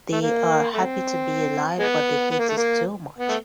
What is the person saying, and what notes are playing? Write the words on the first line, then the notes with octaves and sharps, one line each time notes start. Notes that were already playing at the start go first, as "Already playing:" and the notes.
They are happy to be alive, but the heat is too much.
A3
A#3
A3 C4
G#3 B3
B3
A#3
A3
A#3
B3
A3